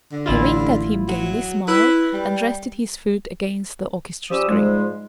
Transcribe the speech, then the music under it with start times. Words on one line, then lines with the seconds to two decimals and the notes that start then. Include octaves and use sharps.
He winked at him gaily, smiled, and rested his foot against the orchestra screen.
0.12 D3
0.26 A1 E4 F4
1.08 F#3
1.68 E4 B4
2.13 G3
4.31 F3 G3 C#4 G4 D#6 E6
4.49 G#2 F3 G3 G#3